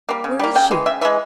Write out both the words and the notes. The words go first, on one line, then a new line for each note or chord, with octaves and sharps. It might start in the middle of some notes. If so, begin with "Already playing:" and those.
Where is she?
G3 A#3
C#3
G3 A#3
C#3 G5
E3 G#3
C#3 E5
E3 G#3 E5